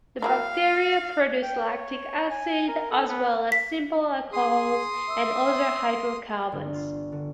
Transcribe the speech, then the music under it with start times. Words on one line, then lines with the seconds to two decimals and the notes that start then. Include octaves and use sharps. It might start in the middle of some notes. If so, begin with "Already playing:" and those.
The bacteria produce lactic acid, as well as simple alcohols and other hydrocarbons.
0.22 F#3 A#3 E4 F5
1.43 G5
1.67 C#5
2.31 G#5
2.68 A#4
2.91 A4
3.09 B3
3.52 B6
4.33 G#4 C6 D#6
5.09 E5
6.52 G1
6.74 F4
7.12 D3